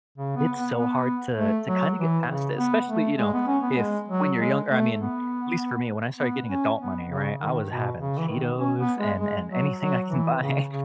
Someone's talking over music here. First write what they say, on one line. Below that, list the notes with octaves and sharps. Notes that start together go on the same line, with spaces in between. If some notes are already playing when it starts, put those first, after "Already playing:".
It's so hard to to kind of get past it, especially, you know, if when you're younger I mean, at least for me, when I started getting adult money, right, I was having Cheetos and and anything I can buy,
C#3
B3
B3
B3
A3
F#3
E3
C#3
B3
A3
G#3
B3
C#4
B3
G#3
F#3
G#3
A3
B3
B3
C#4
B3
C#3
D#3
B2
C#3
E3
D#3
C#4
B3
G#3
G#3
F#3
F#3
E3
C#3
C#3